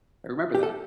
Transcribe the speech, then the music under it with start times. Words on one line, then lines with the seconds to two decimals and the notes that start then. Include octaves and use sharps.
I remember that.
0.55 G4
0.63 A4